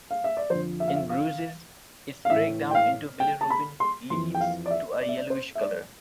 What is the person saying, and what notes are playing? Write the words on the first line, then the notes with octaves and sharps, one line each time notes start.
In bruises, its breakdown into bilirubin leads to a yellowish color.
F5
E5
D5
F2 D3 F3 C5
E5
F5
E5
F5
F5
A2 E3 E5
G5
F5
G5
A5
B5
C6
F2 E3 C6
G5
F5
D5
E5
D5
E5
D5
C5
E5
D5